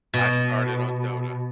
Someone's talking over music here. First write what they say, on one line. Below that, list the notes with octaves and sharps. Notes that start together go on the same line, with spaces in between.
I started on Dota.
B2